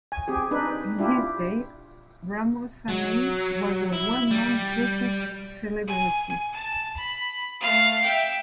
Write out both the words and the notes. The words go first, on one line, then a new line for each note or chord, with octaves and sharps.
In his day Ramo Samee was a well-known British celebrity.
G#5
C4 G4 G#4
D4 D#4 B4
D4 E4 F4 G4
F#3
E4
G3
G#5
A5
B5
A3 F5
E5 G5